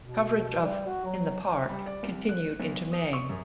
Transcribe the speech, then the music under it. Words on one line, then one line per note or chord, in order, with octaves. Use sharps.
Coverage of "In the Park" continued into May.
B2
G3
F#4
F#3
G3
D5
C2
F#6
B1
D#6
C#6
F#2